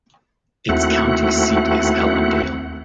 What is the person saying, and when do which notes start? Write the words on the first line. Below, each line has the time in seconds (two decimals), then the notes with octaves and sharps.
Its county seat is Ellendale.
0.69 D#2 A3 C4 E4 F#4 F#5